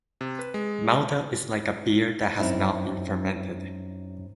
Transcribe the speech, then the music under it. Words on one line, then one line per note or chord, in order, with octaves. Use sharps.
Malta is like a beer that has not been fermented.
C3
B4
G#3
F#2 C4 D#4 E4